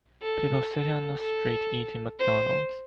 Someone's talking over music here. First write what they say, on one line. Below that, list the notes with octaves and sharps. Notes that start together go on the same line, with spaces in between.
People sitting on the street eating McDonalds.
A4
A4
A4
C5